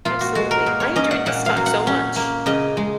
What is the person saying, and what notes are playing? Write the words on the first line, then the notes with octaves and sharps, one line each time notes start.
Absolutely. I enjoyed this talk so much.
A#2 F4
F#4
G#3 F#4
A#4
A#2
C#5
C#4 D#5
F#5
A#2 F#5
F5
F#3
F#5
C#4
A#3
C#3 D#5
G#3